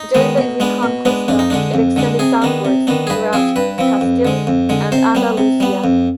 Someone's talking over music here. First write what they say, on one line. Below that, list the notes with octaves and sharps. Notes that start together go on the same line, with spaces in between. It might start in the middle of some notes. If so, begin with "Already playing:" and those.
During the Reconquista, it extended southwards throughout Castille and Andalusia.
Already playing: D#4
D#3 G#3 B3
B2
G#3 B3 D4
B2
G#3 B3 D4
F2 D4
D#4
D3 G#3 D4
F2
D3 G#3 D4
C3 G#4
D#3 B3 D4
C3
D#3 B3 D4
G#4
G2 B4
F3 C4 G#4
G2 B4
F3 C4
F2
D3 G#3
F2
D3 G#3
C3 C5
G3 B3
C3
G3 B3
F2